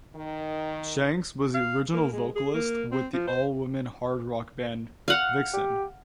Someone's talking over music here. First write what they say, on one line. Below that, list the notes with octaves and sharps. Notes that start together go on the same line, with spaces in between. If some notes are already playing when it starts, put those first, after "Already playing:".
Shanks was the original vocalist with the all-woman hard rock band Vixen.
D#3
F5
A#3
G#3
G#4
A#3
C4
F3
C5
F5 F#5
G4